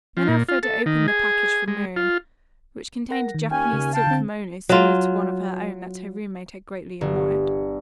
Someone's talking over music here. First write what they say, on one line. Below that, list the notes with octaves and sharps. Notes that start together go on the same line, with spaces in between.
Then Elfreda opened the package from Miriam, which contained a Japanese silk kimono similar to one of her own that her roommate had greatly admired.
F3
A#2
F4
A4
D#3
G#4
G#3
F4
A#4 F#5 A#6
D#3
D#2 C#4 G5 G#5
C#3
F5 G5 A5
D3 C4
F#3 F4
G1